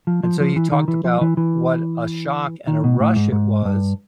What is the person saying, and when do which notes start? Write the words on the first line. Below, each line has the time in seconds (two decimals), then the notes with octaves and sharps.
And so you talked about what a shock and a rush it was
0.07 F3
0.23 F3
0.40 F3
0.56 E3
0.72 D#3
0.88 E3
1.05 F3
1.21 E3
1.37 E3
2.67 D#3
2.84 B2
3.00 A2
3.16 G#2
3.32 G#2
3.65 G2